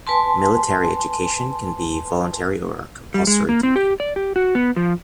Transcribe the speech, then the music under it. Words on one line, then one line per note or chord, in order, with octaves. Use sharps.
Military education can be voluntary or compulsory duty.
B4 G#5 A5 C6
G3
G#3
A#3
C4
G4
D5
G4
F#4
B3
F3